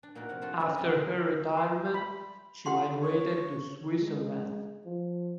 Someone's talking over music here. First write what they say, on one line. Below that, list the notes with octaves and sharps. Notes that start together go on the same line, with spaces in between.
After her retirement she migrated to Switzerland.
D4
A#2 A#3 D#4 E4 F#4
F2 C3 F#5
D4 F4 F#4 A4 C5 D5
F2 A#2 C#3 E4 A#4 G#5
B3 C4 F4 B4 D#5 E5
C6
B5
G4 F#5 C6
C#5
G#3
F3